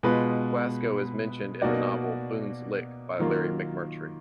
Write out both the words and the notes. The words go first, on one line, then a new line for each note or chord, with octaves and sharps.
Glasgow is mentioned in the novel "Boone's Lick" by Larry McMurtry.
B2 G#3 B3 F4 B4
B2 A#3 D#4 F#4 D5
D#3 F#3 A#3 F4